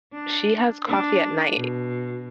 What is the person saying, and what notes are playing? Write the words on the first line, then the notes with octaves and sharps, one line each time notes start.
she has coffee at night,
D4
D4
B2